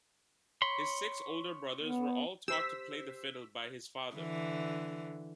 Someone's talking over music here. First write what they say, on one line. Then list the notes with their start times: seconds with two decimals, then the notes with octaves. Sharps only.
His six older brothers were all taught to play the fiddle by his father.
0.62 C#5 B5 C6
1.81 B3
2.48 G4 C5 E6 B6
4.16 D3 E3